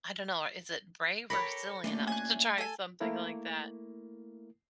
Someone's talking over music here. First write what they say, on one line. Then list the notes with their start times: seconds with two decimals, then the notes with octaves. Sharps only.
I don't know, is it brave or silly enough to try something like that?
1.30 G4 A4 A#4 C#5 B5 A#6 C#7
1.84 A#2 A3 C#4 D4 E5
2.07 G#5 F#6
2.58 A4 G#5
3.00 A3 A#3 E4 A#4